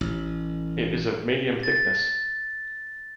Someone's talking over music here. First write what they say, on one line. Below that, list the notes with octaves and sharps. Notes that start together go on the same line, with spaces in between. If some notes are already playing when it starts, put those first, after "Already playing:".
It is of medium thickness.
A1
A6